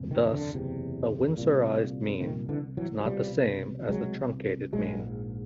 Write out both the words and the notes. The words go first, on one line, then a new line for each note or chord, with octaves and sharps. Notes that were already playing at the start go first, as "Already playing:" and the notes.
Thus a winsorized mean is not the same as a truncated mean.
Already playing: F#1 E2 C3
D#3
D3
F#1 E2 C3
C2 A#2
C2 A#2 D#3
D3 E3
E3 F#3
F#3
C2 B2 F3 G3
C2 B2 F#3 G#3
A#1 G#2 F#3 G#3